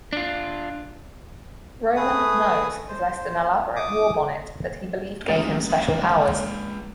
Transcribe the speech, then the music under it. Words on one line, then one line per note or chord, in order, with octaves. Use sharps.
Roman Nose possessed an elaborate warbonnet that he believed gave him special powers.
D4 F4
A3 G#4 B4 D#6
C5
D6 D#6
C#2 A3 D#4 G4 A6
G#3 D5 F5